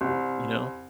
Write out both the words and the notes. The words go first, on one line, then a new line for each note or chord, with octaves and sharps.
you know?
C2